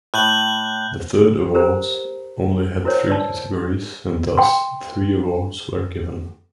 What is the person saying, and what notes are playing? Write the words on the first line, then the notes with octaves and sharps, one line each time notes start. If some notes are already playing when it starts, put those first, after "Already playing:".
The third awards only had three categories, and thus three awards were given.
A2 F#6 G6 F#7
G4 A#4 C5 A#5
E4 A#4 C5 C#5
B4 D5 A5
G5 C6